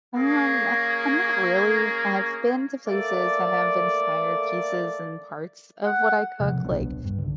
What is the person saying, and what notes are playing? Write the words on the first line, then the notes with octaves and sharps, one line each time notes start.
Um, uh, not really. I've been to places that have inspired pieces and parts of what I cook, like,
A#3 C#4 G#4
A3 A#3 A4 D5
F#5
C3 F3 F#3 G#3
D1 B1 B3 D4
G2
C2 D3